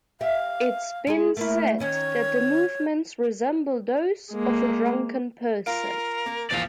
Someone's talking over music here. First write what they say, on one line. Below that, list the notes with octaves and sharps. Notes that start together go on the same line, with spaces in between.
It’s been said that the movements resemble those of a drunken person.
G4 E5 F5
G#3 C#4 G#4
A3 A#3 E4 A#4
D#3 C#4 D#4 C#5
G#3 A#3
F4 A#4 F5 D7
A#3
A#1 E2 F3 D5 F5